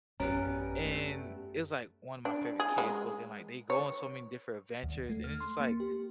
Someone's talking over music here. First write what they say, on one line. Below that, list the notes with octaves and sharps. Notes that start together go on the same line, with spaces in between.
And it was, like, one of my favorite kids' book, and, like, they go on so many different adventures, and it's just like,
A1 F#2 G3 B3 C#4 A#4
A3
D4
G#4
G#3
C#5
D#2
A3
F6
C6
A#3
G4